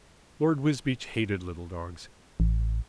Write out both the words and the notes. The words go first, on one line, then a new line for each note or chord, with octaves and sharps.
Lord Wisbeach hated little dogs.
A1